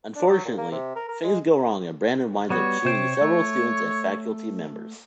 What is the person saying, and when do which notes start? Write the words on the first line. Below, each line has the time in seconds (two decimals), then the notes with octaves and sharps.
Unfortunately, things go wrong and Brandon winds up shooting several students and faculty members.
0.16 D4
0.28 F#3
0.45 A#2
0.58 A#3
0.72 C3
0.96 A#4
1.09 A#4
1.24 G#3
2.50 G3 B3 F#4 C#5
2.85 C3 C5 G5
3.21 A3